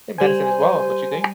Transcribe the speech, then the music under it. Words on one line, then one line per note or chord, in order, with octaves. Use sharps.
than medicine as well, don't you think?
G3 C5 G#5